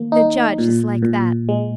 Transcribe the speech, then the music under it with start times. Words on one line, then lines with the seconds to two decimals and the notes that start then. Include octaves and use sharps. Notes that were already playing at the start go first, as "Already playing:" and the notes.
The judge is like that.
Already playing: D#3 A#3
0.12 D#4
0.58 A#2
1.02 A#2
1.49 G#3